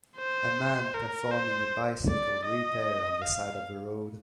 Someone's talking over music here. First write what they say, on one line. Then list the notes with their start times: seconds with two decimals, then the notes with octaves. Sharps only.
A man performing a bicycle repair on the side of the road.
0.17 C5
0.94 A#4
1.31 C5
2.08 D5
2.45 D#5
3.22 F5